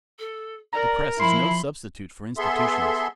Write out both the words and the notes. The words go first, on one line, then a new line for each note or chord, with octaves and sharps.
The press is no substitute for institutions.
A4
A#4 D5 A#5
F3 E4 B5 C6
B3 G#4 A4 E5 C6